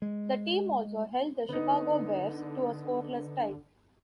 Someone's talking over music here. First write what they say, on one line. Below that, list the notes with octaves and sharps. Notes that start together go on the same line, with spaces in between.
The team also held the Chicago Bears to a scoreless tie.
G#3
D3 B3 D#4